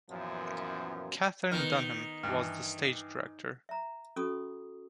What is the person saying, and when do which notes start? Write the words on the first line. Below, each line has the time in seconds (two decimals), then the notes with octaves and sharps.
Katherine Dunham was stage director.
0.10 F#2 A#2 E3 F3 B3 C#4
1.51 D#3 B3 F6
2.23 G2 E3
3.69 E5 A#5
4.16 C#4 F#4 A4 C#6 D#6